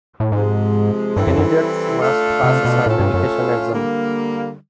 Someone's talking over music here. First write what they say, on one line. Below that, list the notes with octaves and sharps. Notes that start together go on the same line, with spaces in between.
Candidates must pass a certification exam.
A2
G#2 C3 F3 G#3
G2 E3 G3 C4 E4 A4
F2
F#2
A3 D4 F4 A4
C3
B2
A2 A3 C#4 F4 A4
G2
F#2
D3 G3 A#3